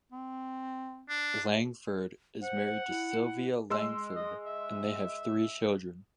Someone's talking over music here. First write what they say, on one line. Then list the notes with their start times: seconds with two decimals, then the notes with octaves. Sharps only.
Langford is married to Sylvia Langford and they have three children.
0.12 C4
1.09 D4
2.41 C5 F#5
2.89 E4
3.70 G#3 C6 E6
4.16 D#5
4.46 E5